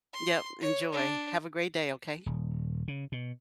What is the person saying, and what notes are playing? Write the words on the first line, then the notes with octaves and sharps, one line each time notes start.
Yep, enjoy. Have a great day, okay?
C6
C#5
D4
D#1
C#3
B2